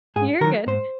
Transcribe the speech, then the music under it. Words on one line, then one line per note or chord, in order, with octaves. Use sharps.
You're good.
G#2 G#4
D#3 F#3 A#4
G#2 C5